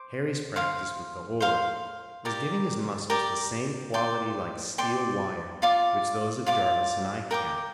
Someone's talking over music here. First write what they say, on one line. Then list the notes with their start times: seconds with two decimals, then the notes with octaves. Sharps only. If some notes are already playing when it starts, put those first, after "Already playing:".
Harry's practice with the oar was giving his muscles the same quality like steel wire which those of Jarvis and Ike had.
Already playing: C5 D6
0.56 C5 F5 C6
1.40 C5 F5 C6
2.25 G4 A#4 D5
3.10 G4 A#4 D5
3.94 D5 G5 C6
4.78 D5 G5 C6
5.62 F4 D5 F5 D6
6.46 F4 D5 F5 D6
7.31 A#4 G5 D6